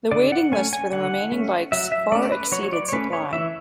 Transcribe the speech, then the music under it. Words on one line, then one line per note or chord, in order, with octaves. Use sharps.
The waiting list for the remaining bikes far exceeded supply.
D3 D5
F#5
A3 C#4 G#5
G#5
D3 F#5
A3 C#4
F#3 E5
E5
A3 C#4 D5
B4
F#3 C#5
C#5
D5
C#5
A3 C#4 B4
C#5
E3 E5